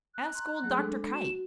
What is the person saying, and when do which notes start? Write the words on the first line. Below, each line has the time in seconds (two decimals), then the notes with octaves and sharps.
Ask old Dr. Kite.
0.15 F#6
0.35 A#5 C6
0.63 F#3 A3 G#4
0.76 G#3 D4 A4
1.13 F#4 E7